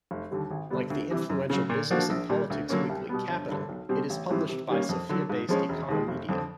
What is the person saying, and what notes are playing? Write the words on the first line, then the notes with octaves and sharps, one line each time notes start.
Like the influential business and politics weekly "Capital", it is published by Sofia-based Economedia.
F1
D#2 D3 G3
G#1
G2 D3 G3 B3
D2
C3 E3 G3
F#2
C#3 F#3
A#2
F3 A#3 D4 F#4
A#1
A#2 G3
D2
D3 F#3 A#3 C#4
C2
B2 G3 B3
G1
G2 D3
B1
B2 G3 C4
A1
G#2 E3 G3 C4
C3
D#3 G3 A#3 C#4
F2
D3 F#3
G#2
F3 G#3 C#4
E1
D#2 D#3 G#3
F1
F2 D3 F3